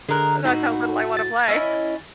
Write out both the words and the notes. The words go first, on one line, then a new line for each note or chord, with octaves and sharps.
That's how little I wanna play.
D3 G#3 A#4 F#6
A2 D#4 F#4
A6
C#4 E4 D#5